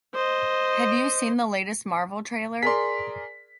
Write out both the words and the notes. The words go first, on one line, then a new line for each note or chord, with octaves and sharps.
Have you seen the latest Marvel trailer?
C5 D#5
G#4 A#4 D5 C6 B6